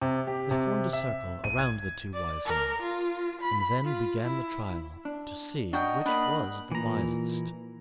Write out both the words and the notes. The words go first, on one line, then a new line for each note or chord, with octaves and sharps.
They formed a circle around the two wise men, and then began the trial to see which was the wisest.
C3
G4
C3
E5
D#7
G#6
D5
A#4
F4
B5
F4
E4
D4
D4 F#4 A#4 D#5 G5
A#3 D4 F#5 B5
A#2 E3 A#5